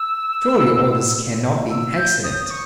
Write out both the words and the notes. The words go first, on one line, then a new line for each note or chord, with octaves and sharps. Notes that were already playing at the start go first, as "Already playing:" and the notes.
Surely all this cannot be accident!
Already playing: E6
E6
G6
D#6
D#6
C#6